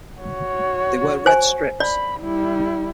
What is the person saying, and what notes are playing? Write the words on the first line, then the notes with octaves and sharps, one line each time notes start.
They wear red strips.
F#4 C#5
C5 G#5
D5 B5
G3 E4